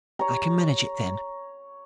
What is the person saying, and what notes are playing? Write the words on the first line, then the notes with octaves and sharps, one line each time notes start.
I can manage it then.
C#5 A#5